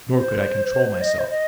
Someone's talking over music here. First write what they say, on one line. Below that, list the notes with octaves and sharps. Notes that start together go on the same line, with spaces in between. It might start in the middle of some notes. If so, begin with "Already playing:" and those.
Nor could I control myself.
C5
D#5
C5
D#5